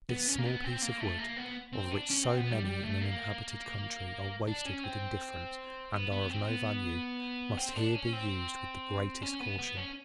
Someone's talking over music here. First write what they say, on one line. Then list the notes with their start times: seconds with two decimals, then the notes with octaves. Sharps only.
This small piece of wood, of which so many in an inhabited country are wasted with indifference and are of no value, must here be used with the greatest caution.
0.09 B3
0.27 C#4
0.38 A#3
0.45 B3
0.64 C4
0.82 A#3
1.00 A3
1.18 A#3
1.37 B3
1.74 C4
1.92 D4
2.10 C#4
2.24 C4
2.37 B3
2.51 G3
2.65 G3
2.83 A3
3.01 A#3
4.47 D4
4.65 C#4
4.83 C4
5.93 B3
6.11 B3
6.30 C4
6.48 B3
7.57 C4
7.76 D4
7.94 C#4
8.13 C4
9.22 C#4
9.40 B3
9.59 B3
9.77 C#4